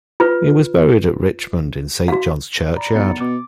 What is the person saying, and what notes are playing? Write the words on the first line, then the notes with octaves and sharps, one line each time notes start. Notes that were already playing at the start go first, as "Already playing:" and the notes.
He was buried at Richmond in Saint John's churchyard.
F4 B4
F#4 F5
D5 A#5 B5
B1 B3 A6 C#7
B2 D6